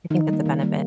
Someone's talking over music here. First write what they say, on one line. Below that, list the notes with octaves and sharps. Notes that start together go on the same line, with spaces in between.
I think that's a benefit.
D#3 D#4
G3 A#3
D#3
G3 A#3